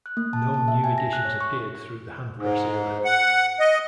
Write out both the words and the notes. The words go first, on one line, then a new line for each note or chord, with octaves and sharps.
No new editions appeared through the handpress era.
F#6
A#3
A5
A5
E5
G#5
A#6
F#6
C#5
C#6
G#2
F#5
D#5